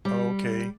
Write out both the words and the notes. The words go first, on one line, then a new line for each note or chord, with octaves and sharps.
Oh, okay.
G3